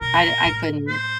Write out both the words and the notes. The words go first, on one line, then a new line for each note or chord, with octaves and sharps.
I I couldn't.
B2 A#4
A2
A#2
A2
C5